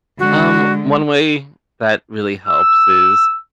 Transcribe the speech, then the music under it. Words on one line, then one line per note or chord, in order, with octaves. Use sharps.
Um, one way that really helps is
D3 G#3 F#4
E6